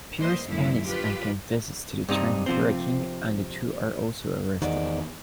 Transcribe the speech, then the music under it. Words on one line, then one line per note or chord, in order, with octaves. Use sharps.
Pierce panics and confesses to the train wrecking, and the two are also arrested.
E3 G3 A#3 C5 D#5
F#2 A#2 D3 G#3 E4
F3 F4 G4 B4
G2 C3 D#4
C3 F3 C4
E2 G#2 D#3 D5